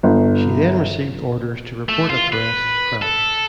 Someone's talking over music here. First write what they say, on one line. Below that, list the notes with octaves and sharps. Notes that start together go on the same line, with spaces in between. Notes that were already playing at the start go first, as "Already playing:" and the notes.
She then received orders to report at Brest, France.
G1
A3
F4
B4
A4